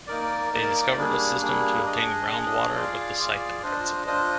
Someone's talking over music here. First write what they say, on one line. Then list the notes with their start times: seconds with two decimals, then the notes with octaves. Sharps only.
They discovered a system to obtain ground water with the siphon principle.
0.07 A#3 D#4 A#4 D5
0.52 A#3 D#4 A#4 D5
0.97 G3 A#3 D4 G#4
1.41 G3 A#3 D4 G#4
1.85 D4 G#4 D#5
2.30 D4 G#4 D#5
2.74 F4 G#4 D5 F5
3.19 F4 G#4 D5 F5
3.62 D4 F4 C5 D#5
4.07 D4 F4 C5 D#5